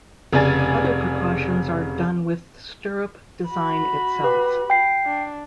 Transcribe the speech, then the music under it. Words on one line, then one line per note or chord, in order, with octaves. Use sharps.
Other precautions are done with stirrup design itself.
F1 C#3 D5 G#5 A6
F#4 B5
G4 B4
G5 C7
D4